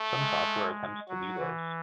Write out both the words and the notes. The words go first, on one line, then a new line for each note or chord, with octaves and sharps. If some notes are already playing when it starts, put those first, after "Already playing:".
Some software attempts to do this.
Already playing: A3
G#3
F#3 F#4
E3